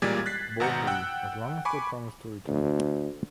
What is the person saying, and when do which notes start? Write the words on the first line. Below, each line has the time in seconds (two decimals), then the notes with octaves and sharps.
Baldy as long as they promised to return.
0.02 A1 A#2 G3 G#3 D5 G#6
0.26 F#6 A6 B6 C7
0.60 G#1 B2 F#5 A#5 G6 C#7
0.87 F#5 G5 E6 F#6
1.65 G#5 B5 C#6 D6
2.48 D2